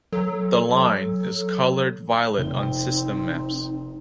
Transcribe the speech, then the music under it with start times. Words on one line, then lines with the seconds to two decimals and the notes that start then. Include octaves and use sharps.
The line is colored violet on system maps.
0.13 F#3 A4
2.38 F1 C4 D#4 G7